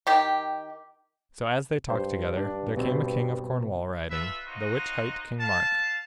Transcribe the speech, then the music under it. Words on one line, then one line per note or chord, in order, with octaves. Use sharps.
So as they talked together, there came a king of Cornwall riding, the which hight King Mark.
D#3 G4
G2 C5
D4
B2 C4
F4 A4 B4 E5
D#4 F4 F#4 C5 D#5
F5 A5